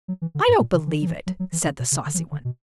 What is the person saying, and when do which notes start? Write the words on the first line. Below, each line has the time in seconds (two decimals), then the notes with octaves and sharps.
"I don't believe it," said the saucy one.
0.08 F#3
0.22 E3
0.35 D3
0.48 G2
0.60 A#2
0.74 C#3
0.87 E3
1.02 F#3
1.07 E3
1.27 F#3
1.40 F#3
1.52 E3
1.66 C#3
1.79 B2
1.92 C#3
2.06 D3
2.14 F#3
2.18 E3
2.32 D3
2.45 B2